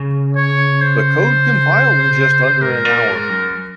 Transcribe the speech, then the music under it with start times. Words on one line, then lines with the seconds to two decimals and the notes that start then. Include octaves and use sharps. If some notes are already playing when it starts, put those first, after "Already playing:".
The code compiled in just under an hour.
Already playing: C#3
0.36 C#5
0.81 C5
2.62 G#2 A#4
2.85 A#2
3.08 G#2
3.29 F#2